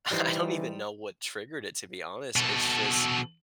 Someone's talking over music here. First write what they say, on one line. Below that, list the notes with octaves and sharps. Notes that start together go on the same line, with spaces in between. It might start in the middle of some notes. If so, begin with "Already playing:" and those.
I I don't even know what triggered it, to be honest. It's just
E3 G3 D#4 C5
B2 A4